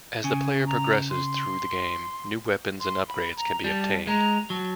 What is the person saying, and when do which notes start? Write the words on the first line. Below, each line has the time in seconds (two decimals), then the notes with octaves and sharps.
As the player progresses through the game new weapons and upgrades can be obtained.
0.24 C#3 G#5
0.66 A#5
1.10 C6
2.80 C6
3.08 B5
3.36 A#5
3.64 G3 A5
4.07 G#3 A#5
4.50 F#3 A5